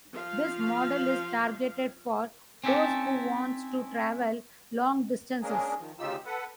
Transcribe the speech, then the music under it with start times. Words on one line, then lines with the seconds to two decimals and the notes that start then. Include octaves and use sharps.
This model is targeted for those who wants to travel long distances.
0.14 F3 F5
2.64 C4 C#4 D#4 E4 A4 D5
5.42 G#3 A#3 C#4 D4 G#4 A#4
5.78 D#3 F3
5.99 D2 C#3 D#4 F4 G4 E6
6.26 A4 B4 F#5